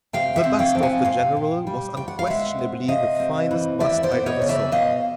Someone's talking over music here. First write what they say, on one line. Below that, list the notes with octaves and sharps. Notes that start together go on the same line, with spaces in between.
The bust of the General was unquestionably the finest bust I ever saw.
C3 F5 G5
E5 F#5
C4
F5 G5
F3
F#5 G#5
A#2 F5 G5
A#2
G3
D2 G5
F#5
F5
G#3 E5 F#5
C3
C3 D#5 F5
C4
E3
D#2 D5 E5
C5 D5
B3
C#5 D#5
C#3
D5 E5
B2 D#5 F5